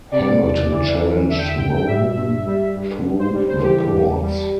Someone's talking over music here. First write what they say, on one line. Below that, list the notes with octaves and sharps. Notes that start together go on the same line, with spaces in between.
Hamilton challenged Mohun through the courts.
C3 D5
E2
E3
E2
D3 E5
G5
E5
G2 G5
G5
G3 E5
G2
G3
G2
G2
C5
G3
C5
E3 G4
E2
G3